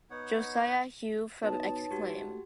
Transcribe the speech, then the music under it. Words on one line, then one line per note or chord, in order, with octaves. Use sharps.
Josiah Hughes from Exclaim!
B3 D#4 C#5 F#5
B2 D#4 B4 C#5 A5
G#2 F#4 G4